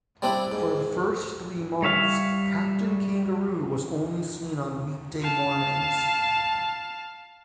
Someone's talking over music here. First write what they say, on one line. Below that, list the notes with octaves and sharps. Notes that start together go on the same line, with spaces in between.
For the first three months, "Captain Kangaroo" was only seen on weekday mornings.
G3 C4 D4 E4
G#2
G3 C#5 E5 F5
F5 A5